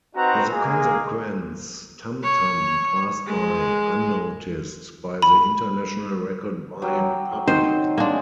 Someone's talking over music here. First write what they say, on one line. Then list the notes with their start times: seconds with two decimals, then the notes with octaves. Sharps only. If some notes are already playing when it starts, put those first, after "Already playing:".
As a consequence, "Tam-Tam" passed by unnoticed by the international record-buying public.
0.15 C4 D#4 F#4 B4 F#5 A#5
0.51 G#3 A#3 G#4
2.23 C#5
3.26 G#3
5.22 B5
6.82 F#3 G4
7.48 D#3 C4 D#4 C5
7.98 G#3 A#3 C#4 D4